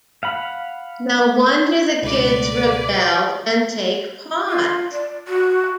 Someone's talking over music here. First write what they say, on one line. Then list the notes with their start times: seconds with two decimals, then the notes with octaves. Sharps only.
No wonder the kids rebel and take pot.
0.23 F5 F#5 B5
2.02 C#2 B2 B4 D5
4.49 F4
4.92 D5
5.28 F#4